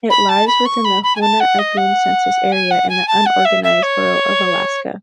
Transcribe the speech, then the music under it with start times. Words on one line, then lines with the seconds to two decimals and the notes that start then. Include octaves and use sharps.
It lies within the Hoonah-Angoon Census Area, in the Unorganized Borough of Alaska.
0.10 B5
0.29 A5
0.47 B5
0.65 C#6
0.85 B5
1.03 B5
1.16 G#5
1.21 A5
1.40 F#5
1.59 D#5
1.77 F#5
2.52 G#5
2.71 F#5
2.89 G#5
3.08 A5
3.26 F#5
3.45 E5
3.63 E5
3.83 C#5